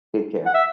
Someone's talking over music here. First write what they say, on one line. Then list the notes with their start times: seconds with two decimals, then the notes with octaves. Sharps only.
Take care.
0.46 F#5
0.54 E5